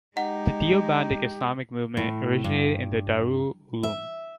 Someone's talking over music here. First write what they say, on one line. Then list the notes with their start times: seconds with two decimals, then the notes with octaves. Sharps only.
The Deobandi Islamic movement originated in the Darul Uloom.
0.17 G#3 D#4 G4 F#5
1.97 A2
2.44 G2
3.83 E5